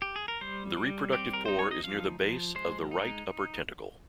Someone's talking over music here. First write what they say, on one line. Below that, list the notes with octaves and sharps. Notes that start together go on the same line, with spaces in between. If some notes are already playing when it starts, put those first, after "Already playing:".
The reproductive pore is near the base of the right upper tentacle.
G4
G#4
A#4
G3 C5
G3
C4 G4
A#4
D#4 C5
C#5
D#5
F3 F5
F3
G#3 C5
D#4